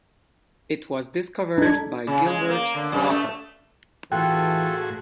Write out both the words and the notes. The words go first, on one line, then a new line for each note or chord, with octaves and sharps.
It was discovered by Gilbert Walker.
D4 D#4 A4 G#6
C#3
G#3
A#3
D3
F#2
A3
A2 E3 F4 F#4 G#4 A4 G5 F#6